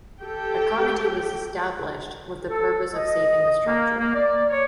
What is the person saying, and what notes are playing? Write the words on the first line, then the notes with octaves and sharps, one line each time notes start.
A committee was established with the purpose of saving the structure.
G4 A4 G5
A4
D#5
A#3
A#3
D5
C#5